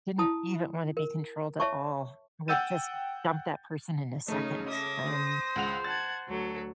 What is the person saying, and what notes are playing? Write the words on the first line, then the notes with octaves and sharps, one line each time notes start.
didn't even wanna be controlled at all. I would just dump that person in a second and
E4 A5 D#6
A#4
C#5 E5 A5 C#6
F#5 G5 E6 G6 A6 D#7
C#3 A3 D#4
E5 D6 D#6 A#6
C5
C#2 F#5 F7
F#5 A5 G#6 A6
D2 F#3 A4